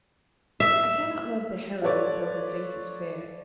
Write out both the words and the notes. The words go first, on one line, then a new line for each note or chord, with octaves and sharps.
I cannot love the heroine, though her face is fair.
E5
F4 A4 B4 C#5 D5